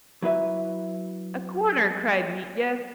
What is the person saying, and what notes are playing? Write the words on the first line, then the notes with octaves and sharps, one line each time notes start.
"A corner!" cried Mitya.
F#3 E4 B4 E5